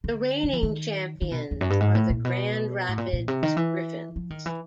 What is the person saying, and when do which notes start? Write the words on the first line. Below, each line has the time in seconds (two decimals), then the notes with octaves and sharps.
The reigning champions are the Grand Rapids Griffins.
0.04 D3
0.43 F3
0.53 E3
0.63 D#3
1.22 D#3
1.32 B2
1.51 E2
1.61 F#2
1.70 G2
1.80 G#2
1.95 A2
2.10 A#2
2.25 B2
2.89 A2
2.98 A#2
3.13 A#2
3.28 C3
3.43 D#3
3.57 E3
4.16 F3
4.30 D#3
4.46 E3